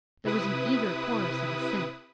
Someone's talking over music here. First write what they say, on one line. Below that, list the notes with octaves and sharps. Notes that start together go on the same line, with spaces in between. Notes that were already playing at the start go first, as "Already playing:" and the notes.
There was an eager chorus of assent.
C3 E4 B4 D#6